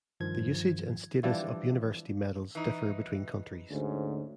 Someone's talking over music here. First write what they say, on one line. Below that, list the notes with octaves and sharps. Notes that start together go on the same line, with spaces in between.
The usage and status of university medals differ between countries.
G2 D#3 F3 G#6
E3 F3 G3 D4
E3 D#4
D2 G#2 C#4